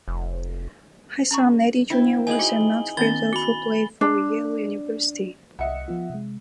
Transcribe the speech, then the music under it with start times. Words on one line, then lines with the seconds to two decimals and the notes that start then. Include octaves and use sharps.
His son, Eddie Junior was an outfielder who played for Yale University.
0.08 F1
1.31 C#4 A#5 C#6
1.90 C4 D4 E4
2.27 D#4 E4 G#4 G#5 F#7
2.39 F#4 G7
2.97 D#3 B3 C#4 A#5 A6 G7
3.33 F#4 B5 G7
4.01 D4
5.59 C2 D#5 E5 F#5 C#7
5.88 F3 B3 F4
6.10 C3 G#3